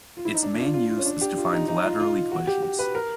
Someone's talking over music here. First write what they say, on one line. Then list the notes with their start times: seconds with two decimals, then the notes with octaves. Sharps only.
Its main use is to find lateral equations.
0.17 F4
0.25 E4
0.34 D#4
0.43 D4
0.58 F4
0.74 F4
0.90 F4
0.98 C#4
1.06 D4
1.21 G4
1.37 F4
1.53 D#4
1.68 D#4
1.84 F4
2.00 F4
2.31 F#4
2.47 G4
2.63 G4
2.79 B4
2.95 A#4